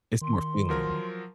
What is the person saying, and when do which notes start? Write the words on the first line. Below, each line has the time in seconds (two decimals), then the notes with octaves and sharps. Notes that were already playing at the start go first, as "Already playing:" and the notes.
It's more feeling.
0.21 D#3 C6
0.69 F3 F#3 A#4